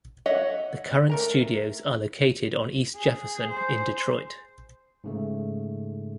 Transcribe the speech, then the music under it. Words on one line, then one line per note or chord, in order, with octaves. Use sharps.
The current studios are located on East Jefferson in Detroit.
C#5 D#5 E5 F#5
A3 A#4 A#5
G#4
C5
G#2 C#3 A3